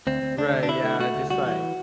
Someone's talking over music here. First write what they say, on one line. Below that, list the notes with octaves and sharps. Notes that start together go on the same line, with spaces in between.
Right, yeah, just like
D2 C4
D2
D2 D4
D3
D4
D3 E4
A3
A3 F#4
D2
G3 F#4
E3